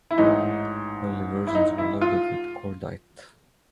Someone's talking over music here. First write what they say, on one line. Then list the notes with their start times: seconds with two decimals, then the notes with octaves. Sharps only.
Early versions were loaded with cordite.
0.11 E4
0.17 A1 G#2 E3 D#4
1.47 E4
1.55 D#4
1.78 E4
2.01 F4